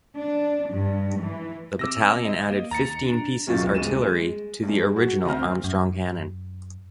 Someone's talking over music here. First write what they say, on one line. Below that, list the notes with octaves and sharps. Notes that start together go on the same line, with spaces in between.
The battalion added fifteen pieces artillery to the original Armstrong cannon.
D4
G2
E3
C3 D6 E6 A#6
D#5
A#3
D#2 A#5 A6 C#7
D4
D1 B1 F#2 F4 C#6 A6
D#1 C#2 G#3 D#7 E7
G#3
G2 G#3
F#4
D2 C4 F6
F#2